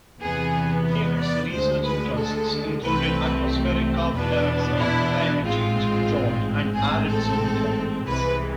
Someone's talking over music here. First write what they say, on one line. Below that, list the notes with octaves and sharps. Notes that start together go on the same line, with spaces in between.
Hare's research interests included atmospheric carbon dioxide, climate change, drought, and arid zone climates.
E2 C3 E3 B3 G#4
B4
D5
D2 D3 G#3 C5
B4
A4
C2 C3 E3 A3 C4 B4
E2 B2 B3 D4 B4
E4
A1 G#2 G#3 C4 F4
A1 G#2 G#3 C4 G#4
A4
C2 C3 E3 G#3 B4